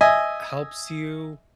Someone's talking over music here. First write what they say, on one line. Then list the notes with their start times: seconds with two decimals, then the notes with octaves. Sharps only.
helps you
0.01 D#5 E5 G#5